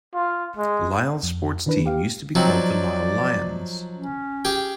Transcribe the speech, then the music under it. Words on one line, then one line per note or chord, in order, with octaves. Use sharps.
Lyle sports teams used to be called the Lyle Lions.
F4
G#3
F2
D#3 E3 D4 B4
G4 F5
F3 F#3 C4 D#4
D5
C#4
G4 G#4 G5